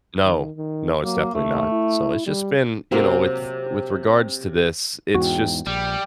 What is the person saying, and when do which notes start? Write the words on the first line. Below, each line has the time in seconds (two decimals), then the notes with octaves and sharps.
No. No. It's definitely not. So it's just been you know, with with regards to this, it's just,
0.25 D#3
0.57 D#3
1.03 F#3 A#3
1.34 D#2 A3
1.72 E4
2.26 G3
2.92 C3 F#3 A#3 C4
5.15 E2 G#2 F#4 G5 G#5
5.67 A#1 G3 G4